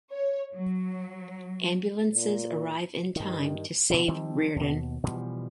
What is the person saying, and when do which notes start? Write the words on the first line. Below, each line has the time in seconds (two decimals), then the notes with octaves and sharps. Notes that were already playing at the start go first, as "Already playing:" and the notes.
Ambulances arrive in time to save Reardon.
0.11 C#5
0.53 F#3
2.14 A#2
3.16 G2 D#3
3.90 B2 D3 E3
4.08 D#3 F3 G3 C4
4.56 D#2 B2
5.04 B2 E3 F3 G3